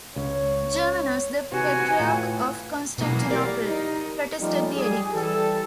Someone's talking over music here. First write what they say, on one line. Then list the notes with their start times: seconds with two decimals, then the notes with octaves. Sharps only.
Germanos, the patriarch of Constantinople, protested the edict.
0.16 C#2 C#5
1.52 C3 F#4 B4 G#5
2.00 A2 F4
2.98 B2 E3 F#3 G#3 A#3
3.30 G4 A#4 D5
3.64 D#4
4.40 F3 G3 A3 C#4 D#4 F4
4.75 G3 G#4
5.13 E3 G3 A4